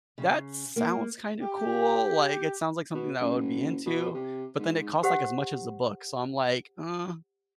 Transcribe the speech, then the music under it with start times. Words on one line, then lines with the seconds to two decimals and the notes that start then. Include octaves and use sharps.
"That sounds kinda cool, like, it sounds like something that I would be into." But then it costs, like, as much as a book, so I'm like, "Uh,
0.18 C#3
0.76 A#3
1.41 G4
2.94 B2
3.20 F#1
3.86 B2
4.14 C3
4.59 G#2
5.03 G4 C5 F#5